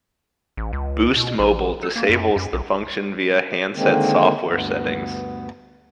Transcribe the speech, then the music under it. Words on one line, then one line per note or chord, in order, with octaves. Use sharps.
Boost Mobile disables the function via handset software settings.
A1
C#2
B2
A1
A4
A#3
F#2
F#2
B1
D3 D#3 G#3 A#3 C4
D2 G2 B3